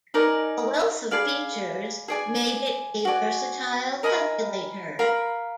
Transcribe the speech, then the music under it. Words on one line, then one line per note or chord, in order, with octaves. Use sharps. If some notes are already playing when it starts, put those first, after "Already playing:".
A wealth of features made it a versatile calculator.
D#4 A#4 D5 G#5
G#4 D5 F5 B5
G#4 D5 G#5
F#4 D5 G#5
A#4 D#5 G#5 B5
A#4 F5 B5